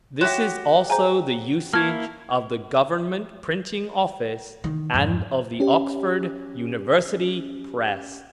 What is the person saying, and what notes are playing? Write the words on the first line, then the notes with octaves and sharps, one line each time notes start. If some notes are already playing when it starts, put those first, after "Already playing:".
This is also the usage of the Government Printing Office and of the Oxford University Press.
F#4 G4 C#5 E5 G5 C6
G#4 C5 F5 G#5 A#5
A#3 E4 A5 C#6 D6 F6 G#6
D#3 E3
F2 G#2
C#4 G4